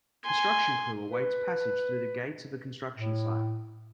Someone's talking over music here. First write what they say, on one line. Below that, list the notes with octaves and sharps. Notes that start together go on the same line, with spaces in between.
Construction crew awaits passage through the gates of a construction site.
G#5 C6
B4
A2